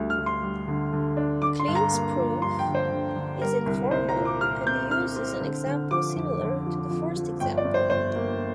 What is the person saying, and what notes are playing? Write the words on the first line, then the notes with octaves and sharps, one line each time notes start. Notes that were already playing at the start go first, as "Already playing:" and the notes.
Kleene's proof is informal and uses an example similar to the first example.
Already playing: D2 D3 G3
F6
D2
C6
G3
D3
D3
D4
D3 D6
C6
G2
A#5
A#3
F3
G2 C6
G5
D3
C5
D3
D3
G3 A#4
C2
C2 C5
A#5
A#2
D6
A#2 F6
C4 G6
C4 F6
C4
D3
D3
F3 D6
F2
D3
F3
F2
F3
G1 G5
D5
G1
C5
G1 C5
A#3